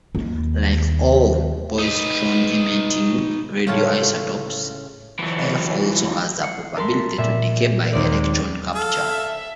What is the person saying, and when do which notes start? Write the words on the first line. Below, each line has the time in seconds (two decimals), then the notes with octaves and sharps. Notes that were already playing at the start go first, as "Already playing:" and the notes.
Like all positron-emitting radioisotopes, F also has a probability to decay by electron capture.
0.15 D#2 A#3
1.79 D#4 B4
3.67 A2 C#3 C#4 F4 A4 A5
5.19 E3 F#3
6.41 F#6 C7 C#7
6.75 A4 A#4 A5 B5 C6
7.18 A#2 E5 B6
7.93 D#2 C4 D5
8.12 G#3
8.75 A4 F5
9.05 E5